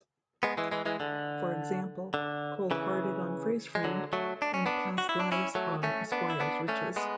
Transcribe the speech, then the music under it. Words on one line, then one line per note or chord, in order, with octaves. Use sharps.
For example: "Cold Hearted" on "Freeze Framed" and "Past Lives" on "A Squire's Riches".
G#3 B3
E3 G#3
E3 G#3
E3 G#3
D3
D3
C#3 E3
G#3
D3 F#3
F#3 A3
D4
C#4
B3 D4
F#4
E4
D4
C#4 E4
F#3 A3
A3 C#4
B3 D4
E4
B3 D4
A3 C#4
G#3 B3